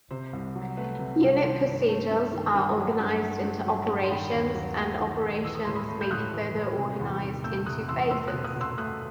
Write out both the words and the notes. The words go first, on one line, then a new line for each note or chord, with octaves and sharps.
Unit-procedures are organized into operations, and operations may be further organized into phases.
C3 C5
C2
F#3
A3 B4
C3
C2
D#3 C5
G2
A3
G2
D#3
G2
F#3
G2
A3
G2
F#3
G2
C6
D#3 G5 B5
D#2
F#3
A3
D#3
D#2
E3 E6
D#6
A2 C6
B5 D#6
A3
G6
A2 D#6 F#6
E3
A2
C3
E2
D#3
A3 E6 G6
C3 D#6 F#6
E2 C6 E6
A3 C6 E6
D#6 F#6
B2
D#6 F#6
B2
C6 E6
A3 D#6 F#6